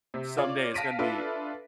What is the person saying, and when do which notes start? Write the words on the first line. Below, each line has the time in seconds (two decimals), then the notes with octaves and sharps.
someday is gonna be
0.14 C3
0.37 F4 C#5 D5
0.74 F5 A5 A#6 B6 D7 D#7
0.99 D4 F4 A4 B4 E5